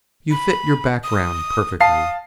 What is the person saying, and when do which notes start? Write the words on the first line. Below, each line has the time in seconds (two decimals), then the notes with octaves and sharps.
"You fit your background perfectly."
0.31 B5
1.04 D#6
1.80 F5 A5 D#6 C7